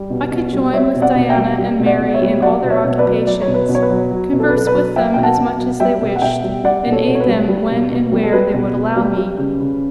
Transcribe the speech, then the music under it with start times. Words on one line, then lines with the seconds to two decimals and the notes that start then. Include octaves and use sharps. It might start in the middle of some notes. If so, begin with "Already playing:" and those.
I could join with Diana and Mary in all their occupations; converse with them as much as they wished, and aid them when and where they would allow me.
Already playing: G3
0.10 B2
0.32 B2
0.53 G3
0.73 G3 C#5 E5
0.95 B2
1.02 D5 F#5
1.16 B2
1.29 E5 G5
1.37 G3
1.58 G3
1.80 B2
1.86 D5 F#5
2.00 B2
2.08 D5
2.14 C#5 E5
2.22 G3
2.42 F#3 D5 F#5
2.63 B2
2.70 C#5 E5
2.85 B2
2.98 B4 D5
3.05 F#3
3.27 F#3 D5
3.42 C#5
3.48 B2
3.54 B4
3.69 B2
3.75 C#5
3.82 B4
3.90 F#3
4.11 F#3
4.33 B2
4.40 A4
4.49 B4
4.53 B2 A4
4.67 B4
4.74 F#3
4.96 F#3 E5 G5
5.14 B2 G5
5.23 F#5 A5
5.38 B2
5.59 F#3
5.80 G3 E5 G5
6.02 B2
6.16 F#5
6.22 B2 E5 G5
6.44 G3
6.64 G3 D5 F#5
6.86 B2
6.92 A4 C#5
7.07 B2
7.15 C#5
7.21 B4
7.27 G3
7.48 G3
7.70 B2
7.91 B2
8.12 G3
8.23 A4
8.33 G3 B4
8.54 B2
8.75 B2
8.96 G3
9.17 G3
9.38 C#3
9.60 C#3